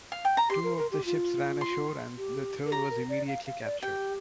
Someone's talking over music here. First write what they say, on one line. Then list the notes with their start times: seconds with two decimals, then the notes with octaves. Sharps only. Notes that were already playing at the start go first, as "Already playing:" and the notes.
Two of the ships ran ashore and the third was immediately captured.
0.12 F5
0.25 G5
0.37 A#5
0.50 G4 C6
0.64 A#4
0.77 A#4
0.91 G4
1.05 F4
1.61 C6
2.17 G4
2.66 A#4
2.71 G4 A#5
2.90 A#4
3.09 D5
3.28 F5
3.46 F5
3.64 D5
3.82 G4 G5